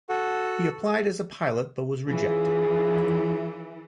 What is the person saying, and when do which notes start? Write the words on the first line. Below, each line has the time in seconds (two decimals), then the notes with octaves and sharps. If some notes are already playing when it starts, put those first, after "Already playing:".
He applied as a pilot but was rejected.
0.09 F#4 A4 F#5
2.07 E3 C#4 F4 G#4